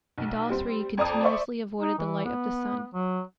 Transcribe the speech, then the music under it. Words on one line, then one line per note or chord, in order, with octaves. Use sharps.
And all three continuously avoided the light of the sun.
B1
G3 C4
F2 D5 A#5 D#6
C5 D5 E5 C#6
D#4
E3
B3
F#3